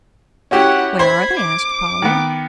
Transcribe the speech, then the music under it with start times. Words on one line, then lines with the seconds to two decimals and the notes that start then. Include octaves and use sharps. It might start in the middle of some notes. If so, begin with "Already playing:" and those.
"Where are they!" asked Polly.
0.51 C#4 E4 F#4 G4 F#5
0.99 C5 B5 G#6
1.38 D6
2.02 D#3 B3